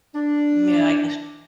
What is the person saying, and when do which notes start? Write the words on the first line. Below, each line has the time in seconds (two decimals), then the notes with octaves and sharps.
Yeah, I guess.
0.14 D4